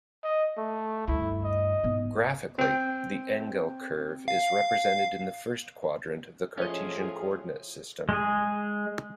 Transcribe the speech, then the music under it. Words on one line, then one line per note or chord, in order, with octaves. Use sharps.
Graphically, the Engel curve is represented in the first-quadrant of the Cartesian coordinate system.
D#5
A3
D2 G2 E4
D#5
G#2 B3
C4 G5
F5
A2 F3 C#4 G#4 D#5
G#3 G#4